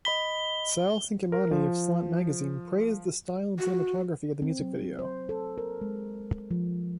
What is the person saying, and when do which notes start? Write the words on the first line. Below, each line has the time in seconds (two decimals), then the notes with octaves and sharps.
Sal Cinquemani of "Slant Magazine" praised the style and cinematography of the music video.
0.05 D#5 B5 B6 G7
1.32 A#4
1.51 F3
3.59 F#4
4.42 C4
4.59 F#3
4.99 C5
5.29 A4
5.58 A#4
5.81 G#3
6.51 F3